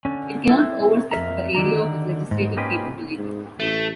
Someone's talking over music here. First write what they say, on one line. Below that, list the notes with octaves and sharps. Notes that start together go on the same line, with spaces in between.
It cannot over-step the area of its legislative capability.
D3 C#4
C4 E4 A4
F2 A#4 E5 A#5
D3 D#3 D5 A#5
G#2
A#3 C#4 D#4 G4 B4 C5
G#2
A1 A3